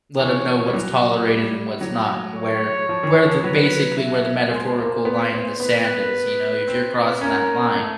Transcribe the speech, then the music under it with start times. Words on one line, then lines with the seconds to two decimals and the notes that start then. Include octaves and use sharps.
Let 'em know what's tolerated and what's not and where where the basically where the metaphorical line in the sand is. You know? If you're crossing that line,
0.19 E3 C#5
0.67 G3
0.73 F#3
1.27 G3
1.81 F#3
2.35 C#5
2.89 F3
3.03 D#3
3.07 E3
3.26 F3
3.44 F#3 B4
3.97 E5
4.51 G#3 C5
4.79 A#3
5.05 B3
5.33 B3
5.59 B3 B4
6.68 C4
7.21 C#4 A#4
7.76 A3